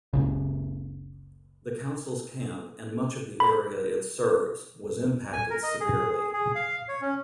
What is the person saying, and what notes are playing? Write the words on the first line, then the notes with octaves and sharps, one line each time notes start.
The Council's camp, and much of the area it serves, was impacted severely.
F#1 C#2 C#3
B5
G#5
A#4
D#5
G#4
G#4
G#4
F5
C#5
C#4